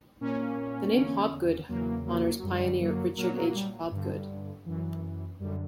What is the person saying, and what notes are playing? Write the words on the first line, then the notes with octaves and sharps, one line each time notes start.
The name Hobgood honors pioneer Richard H. Hobgood.
A#2 A#3 C#4
E2 D3
E2 C#3 E3 F#3 A#3
F#3 A#3
F#3
F#2 D3 G3
F#3 A#3
A#2 F#3 A#3
B3
F#3 A#3
A#3
G3
G2 D3
F#2 E3
F#2 D3 G3